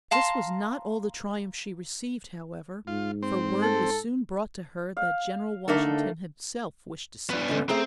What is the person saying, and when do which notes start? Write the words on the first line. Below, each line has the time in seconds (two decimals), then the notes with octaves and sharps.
This was not all the triumph she received, however, for word was soon brought to her that General Washington himself wished to see her.
0.11 F5 A5 A#5 C6
2.87 G#2 F4
3.23 C4
3.62 A4
4.97 F5
5.68 D3 A3 A#3 D4 D#4 A4
7.30 B3 D4
7.48 D3 G#3 C#4
7.69 A3 C4 G#4 A#5